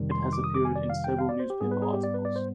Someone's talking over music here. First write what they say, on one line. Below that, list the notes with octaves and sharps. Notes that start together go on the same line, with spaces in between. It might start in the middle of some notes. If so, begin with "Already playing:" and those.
It has appeared in several newspaper articles.
Already playing: F2 C3 D#3 G3
C6
D6
D#6
D6
G#5
D5
F5
G5
F5
D5
C5
G4
G#2 G3 B3 G#4
B4
G#4
G4
D5
B4
D5
C5